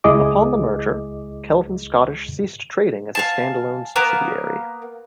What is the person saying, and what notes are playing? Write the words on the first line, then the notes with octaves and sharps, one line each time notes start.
Upon the merger, Kelvin Scottish ceased trading as a stand-alone subsidiary.
C#2 G#3 E4 G#4 D#5 D6
F5 G#5 A5
A#3 B3 A#4